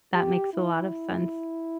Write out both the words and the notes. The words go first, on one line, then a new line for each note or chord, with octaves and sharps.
That makes a lot of sense.
G4
E4